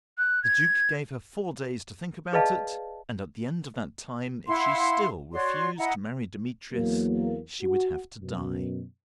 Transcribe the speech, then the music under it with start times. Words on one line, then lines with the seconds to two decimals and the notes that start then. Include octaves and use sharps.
The Duke gave her four days to think about it, and, at the end of that time, if she still refused to marry Demetrius, she would have to die.
0.18 F#6
0.43 G#6
2.33 G#4 B4 D5 D#5 F5 A5
4.47 E4 F5 F#5 C6
5.32 F#4 C#5 D5 C6
5.77 E4 D#5 F#5 A#5
6.72 E2 F#3 A#3
7.63 F#4
8.19 F#2 B2